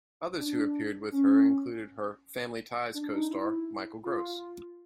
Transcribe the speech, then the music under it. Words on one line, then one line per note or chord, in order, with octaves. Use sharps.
Others who appeared with her included her "Family Ties" co-star Michael Gross.
D4
C#4
D4
D#4
E4
F4